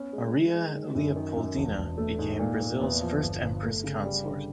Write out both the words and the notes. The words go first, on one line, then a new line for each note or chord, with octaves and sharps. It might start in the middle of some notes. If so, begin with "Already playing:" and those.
Maria Leopoldina became Brazil's first empress consort.
Already playing: B3 C#4
G#3
G#3
G#3
D#3
F#2
D#3
F#2
E1
E1
A3
G#2
A#2
A#2
E2
F3
G1
G1
A3
C#3
G3
D3